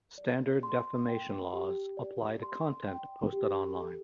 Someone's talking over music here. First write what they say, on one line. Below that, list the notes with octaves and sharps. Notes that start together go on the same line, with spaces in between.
Standard defamation laws apply to content posted online.
D5
C6
G5
G4
D5
C6
G5
G4
A4